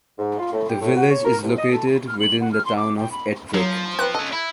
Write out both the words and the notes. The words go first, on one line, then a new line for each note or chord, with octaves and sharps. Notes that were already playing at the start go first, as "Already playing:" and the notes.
The village is located within the Town of Ettrick.
G#2
F4
A2
G4
A2
F#4
C#5
A#4
C2
D#5
A4
F6
F#7
F#5
F6
C6
D6
G5
B5
F3 F#3 A#4
C4 B4 F#6
C#4 A4 D#5
E4